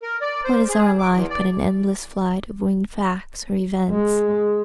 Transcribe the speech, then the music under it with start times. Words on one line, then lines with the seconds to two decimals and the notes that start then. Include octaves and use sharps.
What is our life but an endless flight of winged facts or events?
0.03 A#4
0.22 D5
0.44 C5
0.69 G#4
0.99 D6
1.14 E2
1.30 D5
3.91 G#3